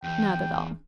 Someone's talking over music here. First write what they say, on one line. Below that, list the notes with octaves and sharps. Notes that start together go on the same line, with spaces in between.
Not at all.
E2 E3 G5